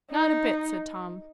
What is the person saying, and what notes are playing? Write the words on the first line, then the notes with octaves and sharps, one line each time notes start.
"Not a bit," said Tom.
D#4